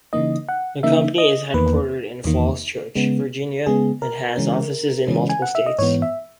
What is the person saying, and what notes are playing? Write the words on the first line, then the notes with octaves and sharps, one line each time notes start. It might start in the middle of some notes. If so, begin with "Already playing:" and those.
The company is headquartered in Falls Church, Virginia, and has offices in multiple states.
C#3 E3 A#3 D#4 D#5
F#5
C#3 E3 A#3 D#4 E5
D#5
E2 D#3 A#3 B4
E2 D#3 A#3
C#3 G#3 B3
C#3 G#3 B3 G#4
A#4
C#3 E3 G#3 C#4
C#3 E3 G#3 C#4
G#5
F#5
E5
D#5
G#2 E3 B3 C#5
E5